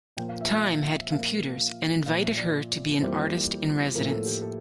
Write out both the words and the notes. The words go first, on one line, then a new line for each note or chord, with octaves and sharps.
Time had computers, and invited her to be an Artist in Residence.
A#2 F3 A#3 G5
F5
E5
E5
A#2 F3 A#3 F5
A#2 F3 A#3 F5
E5
D5
F2 E3 G3 A#3 C5
A2 F3 A#3 A#4
A4
G4
A4